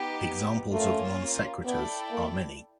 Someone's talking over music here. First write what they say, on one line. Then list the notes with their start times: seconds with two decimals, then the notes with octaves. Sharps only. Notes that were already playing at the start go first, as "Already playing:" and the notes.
Examples of non sequiturs are many.
Already playing: B3 D#4 G4
0.72 A3 A#3 C#4 F4 A#4
1.65 B3 E4 A4 D5 G5
2.11 A#3